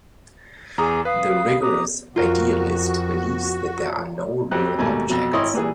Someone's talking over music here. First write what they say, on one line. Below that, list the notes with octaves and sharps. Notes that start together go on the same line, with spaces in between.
The rigorous idealist believes that there are no real objects.
E2 G#4 A#5 D6 D#6
B4 F5 D#6
A#5 D6 D#6
F2 F4 F#4 A#4
F2 F#3 C4 G4 F#6
D#2 G#2 B2 A3 G#5
F2 B2 F#3
G#1 E4 C#5 D#5 C6 D#6
A#2 E3 G3 G#4